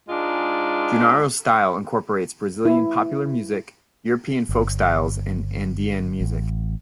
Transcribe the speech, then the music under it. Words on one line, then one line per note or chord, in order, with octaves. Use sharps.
Junaro's style incorporates Brazilian popular music, European folk styles and Andean music.
G#2 G#3 D4 F4
E4
G1
A1